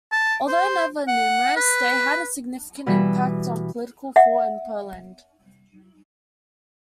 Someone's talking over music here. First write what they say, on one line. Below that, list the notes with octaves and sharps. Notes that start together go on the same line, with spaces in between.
Although never numerous, they had a significant impact on political thought in Poland.
A5
C5
F#5
B4
B2 E3 G3 E5
E5 F#5